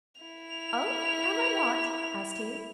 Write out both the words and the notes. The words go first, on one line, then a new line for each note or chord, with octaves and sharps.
'Oh, am I not?' asked he.
E4 F7